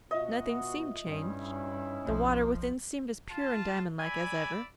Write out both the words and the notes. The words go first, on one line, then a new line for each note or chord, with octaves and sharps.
Nothing seemed changed; the water within seemed as pure and diamond-like as ever.
B2 F4 F#4 D#5 E5
G2 C#4 D#4 E4
B1 F2 F3 A#3
F4 A5
D5 E5 G#5 B5